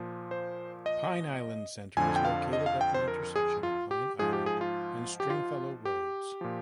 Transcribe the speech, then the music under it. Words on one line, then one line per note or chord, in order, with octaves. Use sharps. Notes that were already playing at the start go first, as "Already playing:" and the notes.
Pine Island Center is located at the intersection of Pine Island and Stringfellow Roads.
Already playing: A#2 F3
C5
D#5
F2 D3 F3 G#5
G5
F5
D#5
F5
G5
C5
A#4
G#4
F4
G4
G#2 F3 G#4
G4
G#4
F4
G4
F4
G4
A#2 F3